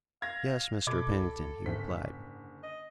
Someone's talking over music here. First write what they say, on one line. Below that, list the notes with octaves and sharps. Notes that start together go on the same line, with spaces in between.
"Yes, Mr. Pennington," he replied.
F5 G#6 A#6
B2 A4 B5 D6 G#6
C2
F#1 G#2 D3 B6
D#5